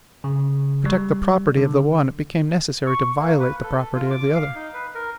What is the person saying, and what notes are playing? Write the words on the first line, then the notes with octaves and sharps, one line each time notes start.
To protect the property of the one, it became necessary to violate the property of the other.
C#3
G3
D3
C#6
A#3
B4
A4
F4
D6
F5
D#4
B4
A#4